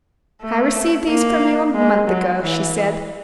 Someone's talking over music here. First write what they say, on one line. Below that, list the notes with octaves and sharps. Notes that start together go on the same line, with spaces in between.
"I received these from you a month ago," she said.
A3
A#3
G#3
F#3
E3